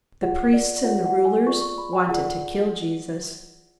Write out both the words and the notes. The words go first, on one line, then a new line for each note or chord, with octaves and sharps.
The priests and the rulers wanted to kill Jesus.
F4 G#4 C#5 F#5
D5
F4 G#4 C#5 F#5
F#5
G#5
F4 G#4 D5 C#6
C#6
B5
G#5
F4 G#4 D5 F#5